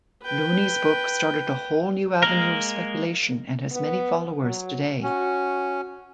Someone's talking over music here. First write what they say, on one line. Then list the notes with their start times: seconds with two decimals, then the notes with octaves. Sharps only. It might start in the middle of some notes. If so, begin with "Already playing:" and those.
Looney's book started a whole new avenue of speculation and has many followers today.
0.23 B4 G5
2.23 G#3 A#3 A#4
3.71 B3
4.42 F#3
5.03 C#4 F#4